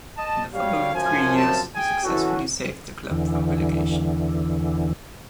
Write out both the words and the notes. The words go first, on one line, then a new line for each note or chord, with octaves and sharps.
In the following three years he successfully saved the club from relegation.
D#5 A5
F#2 G3 C#5 F5
F#2 F3 G#5
C4 A5
G#4 G5 G#5
E3 C#4 F#4 A4
E2 D3 E3